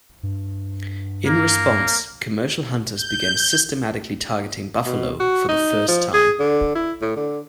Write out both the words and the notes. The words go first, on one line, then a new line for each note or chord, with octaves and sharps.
In response, commercial hunters began systematically targeting buffalo for the first time.
G2
A#3
G6
B2
F#4
D#4
F3
G#4
D3
E4
A2
D3